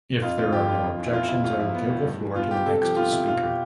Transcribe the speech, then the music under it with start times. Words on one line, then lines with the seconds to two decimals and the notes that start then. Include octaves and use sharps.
If there are no objections, I will give the floor to the next speaker.
0.22 F2 F4
0.37 D3 F4
0.52 F3 G4
0.68 F2 F4
0.83 F2
0.98 E3
1.06 E4
1.13 B3 F4
1.29 F2 E4
1.44 A2 F4
1.59 F3 E4
1.75 B3
1.90 A2
2.05 G2
2.20 E3
2.36 B3 F4
2.51 G2 G4
2.66 C3 A4
2.81 F3 G4
2.96 B3 F4
3.12 C3 E4
3.27 B2 F4
3.42 B3 G4